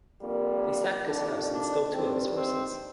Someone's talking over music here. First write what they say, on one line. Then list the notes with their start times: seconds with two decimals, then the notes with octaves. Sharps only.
They sacked his house and stole two of his horses.
0.20 F2 D3 G3 A#3
1.06 F2 D#3 G3 A#3 D4
1.50 D4
1.92 G2 D#3 G3 C4
2.36 C4